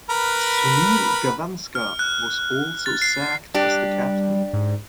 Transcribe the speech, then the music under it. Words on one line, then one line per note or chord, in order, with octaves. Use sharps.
Sunil Gavaskar was also sacked as the captain.
A#4 B4 B5
F6
F#6
A6
C7
G3 D4 G4
G#2